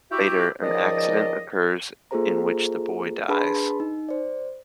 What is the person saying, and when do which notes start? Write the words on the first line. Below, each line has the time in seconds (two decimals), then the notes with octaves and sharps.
Later, an accident occurs in which the boy dies.
0.10 E4 F#4 G4 E5
0.62 C#2 D#3 F3 D5 D#5
2.11 A#3 F4 G#4 A4 C5 A#5
3.28 D4 G#4 B4 A5 B5 C6
3.80 D#4
4.09 C5 D5